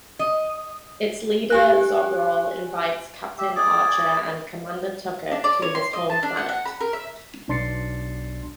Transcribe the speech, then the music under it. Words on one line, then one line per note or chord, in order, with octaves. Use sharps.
Its leader, Zobral, invites Captain Archer and Commander Tucker to his home planet.
D#5
G4 G#5 F#6
G4 E5
G#4 D5 D6
D4
D5
C#5
C6
D#5
A5
D4
F#5
F#5
B5
A#4
E5
B1 D4 C6 A6 C7 C#7